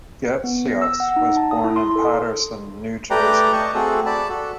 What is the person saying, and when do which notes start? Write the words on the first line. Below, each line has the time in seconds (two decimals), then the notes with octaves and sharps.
Goetschius was born in Paterson, New Jersey.
0.44 B3
0.68 A#6
0.82 E6
1.00 F#5
1.16 D#4
1.37 A5
1.51 D#6
1.64 E4
1.76 C6
1.96 A4
3.10 A3 G4 B4 D5 G5 A#5
3.53 D#5 A5 C#6
3.75 A3 C4 F#4 G#4 A4
4.06 D5 A5 B5
4.30 F#4 A4